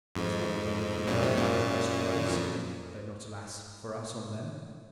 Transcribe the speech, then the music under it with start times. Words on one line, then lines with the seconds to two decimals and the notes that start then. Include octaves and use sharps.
Does not the belief in vampires rest for others--though not, alas! for us--on them?
0.15 F2 G#2
1.08 F#2 A#2
1.22 G#2 C3
1.37 F#2 A#2
2.29 F2